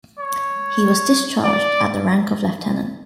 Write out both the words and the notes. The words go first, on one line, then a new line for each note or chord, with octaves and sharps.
He was discharged at the rank of lieutenant.
C#5
D5